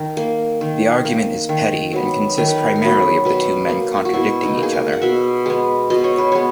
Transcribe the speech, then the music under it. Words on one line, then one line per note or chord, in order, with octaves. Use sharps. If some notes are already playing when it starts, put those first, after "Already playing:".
The argument is petty, and consists primarily of the two men contradicting each other.
Already playing: D#3 A#4
A#3
D#3
A#3
D#3
F#3 B3
D#3 A#4
B4
A#4
A#4
F#3 B3 B4
B2 B4
A#3
F#4
B2 E4
D#4
A#3
G#4
A#4
F#5
B2 E5
G#3 B3
B2 D#5
C#5
B4
G#3 B3 C#5